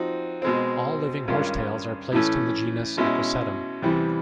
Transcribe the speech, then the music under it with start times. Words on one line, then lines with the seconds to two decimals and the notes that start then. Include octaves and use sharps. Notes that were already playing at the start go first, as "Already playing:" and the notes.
All living horsetails are placed in the genus "Equisetum".
Already playing: F3 C4 D#4 F#4
0.42 B2 G#3 C4
1.27 G2 D#3 G#3 C#4 F4
2.12 A2 E3 A3 C#4
2.97 B2 G#3 C#4 E4
3.82 E2 C3 E3 G3